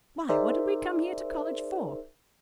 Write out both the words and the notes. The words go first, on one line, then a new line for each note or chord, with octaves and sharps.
Why, what did we come here to college for?
D#4 G#4 A#4 C5 D5 E5